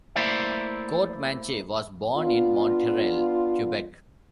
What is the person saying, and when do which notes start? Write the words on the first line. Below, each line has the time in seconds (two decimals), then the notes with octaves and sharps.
Courtemanche was born in Montreal, Quebec.
0.16 A3 A#3 E4 C5 D5 E5
2.16 B3 D4 F4